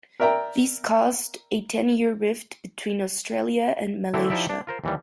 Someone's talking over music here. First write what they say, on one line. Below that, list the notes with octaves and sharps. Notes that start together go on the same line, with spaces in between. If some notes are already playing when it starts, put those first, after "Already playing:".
This caused a ten-year rift between Australia and Malaysia.
A#4 D5 E5 G5 A#5
D3 E3 A3 C4 E4 G4
F3 D#4 E4 G4 D5 E5
D4
F4 A#4 C5
D#2 E3 G3